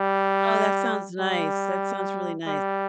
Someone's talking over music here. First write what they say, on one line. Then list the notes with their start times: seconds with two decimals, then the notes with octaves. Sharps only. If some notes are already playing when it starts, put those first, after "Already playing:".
Oh, that sounds nice, that sounds really nice.
Already playing: G3
1.19 G3
2.47 G3